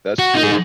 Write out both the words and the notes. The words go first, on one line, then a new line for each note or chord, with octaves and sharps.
That's true.
F#4
D#4
G#4